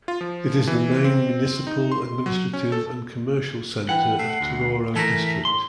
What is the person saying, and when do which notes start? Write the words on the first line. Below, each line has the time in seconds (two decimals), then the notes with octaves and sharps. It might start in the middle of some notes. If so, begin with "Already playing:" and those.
It is the main municipal, administrative, and commercial center of Tororo District.
0.08 F4
0.21 F3
0.67 E3
1.04 C4
1.67 D#4
1.92 C6
2.26 F#3
2.53 C#4
2.72 A4
3.89 E3 F#5 G5
4.19 A3 C7
4.40 D2
4.96 E3 A3 A#4 B6
5.45 A2 C6 G7